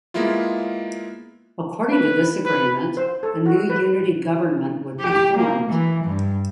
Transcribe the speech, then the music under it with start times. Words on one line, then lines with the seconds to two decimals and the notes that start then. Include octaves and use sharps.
According to this agreement, a new unity government would be formed.
0.14 G#3 A#3 B3 E4 F4
1.91 B4
2.45 B4
2.97 C5
3.23 A4
3.46 F#4
3.70 B4
5.01 G4
5.38 A#3
5.70 E3
6.05 G2